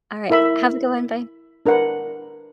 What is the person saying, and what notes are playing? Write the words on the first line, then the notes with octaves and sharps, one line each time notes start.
Alright, have a good one, bye.
E4 A#4 E5 B5
D4 A#4 B4 F#5